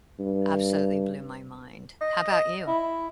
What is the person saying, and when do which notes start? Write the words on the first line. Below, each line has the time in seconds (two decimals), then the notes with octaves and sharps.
absolutely blew my mind, how about you?
0.20 G2
2.01 D#5
2.32 D#5
2.67 E4